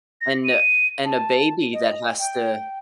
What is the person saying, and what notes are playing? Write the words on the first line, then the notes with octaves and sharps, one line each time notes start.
And a and a baby that has to
A#6
D#7
A5
D#5
G5